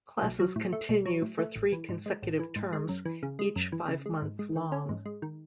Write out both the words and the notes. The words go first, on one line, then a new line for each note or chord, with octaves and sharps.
Classes continue for three consecutive terms, each five months long.
B1
F#3
A2
A3
B1
F#3
A2
A3
A1
E3
G#2
G#3
A1
E3
G#2
G#3
F#2
E3
C#3
G#3
F#2
E3
C#3
G#3
G#2
G#3
D#3
C#4
G#2
G#3
D#3